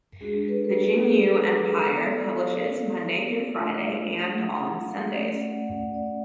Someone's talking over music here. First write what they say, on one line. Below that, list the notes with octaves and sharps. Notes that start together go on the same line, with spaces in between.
The Juneau Empire publishes Monday through Friday, and on Sundays.
G#3 D4 F#4 G#4
B4
A4
B4
A4
G#4
G#4
G#4
G#4
B3 F#4 A4
D5
F5
A3 D4 F4
F#5
F#5
F5
A3 C#4 F#4 D5
F#5
F#5
D5